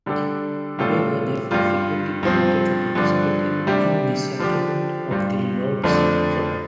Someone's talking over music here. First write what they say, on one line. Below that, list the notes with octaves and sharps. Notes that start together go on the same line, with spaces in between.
They were therefore frequently prevented from participating in the sacrament of the Lord's Supper.
D3 G3 D4 A4
A2 G3 F4 A4
G2 G3 F4
G2 F3 C4
G2 D3 F3 D4
C3 G3 D4 G4
D3 F3 D4 G4
G2 G3 F4
F2 D3 F3 A3 D4